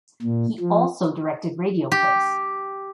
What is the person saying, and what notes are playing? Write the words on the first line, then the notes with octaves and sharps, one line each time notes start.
He also directed radio plays.
A#2
F3
G4